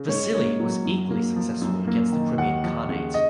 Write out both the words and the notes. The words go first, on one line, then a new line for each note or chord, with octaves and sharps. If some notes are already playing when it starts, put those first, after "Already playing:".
Vasili was equally successful against the Crimean Khanate.
Already playing: C#3
G#2 C#5
A#3 C#5
F#3
F#2
A#3
F3
F#2
A#3
D#3
D#2 F#5
F3
C#3
D#5